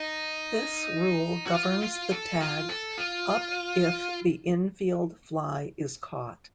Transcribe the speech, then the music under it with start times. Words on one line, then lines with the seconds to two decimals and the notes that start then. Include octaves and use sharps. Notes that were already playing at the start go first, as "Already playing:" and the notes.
This rule governs the tag up if the infield fly is caught.
Already playing: D#4
1.47 F#4
1.54 F4
1.83 F4
2.12 A4
2.41 F4
2.69 A4
2.98 F4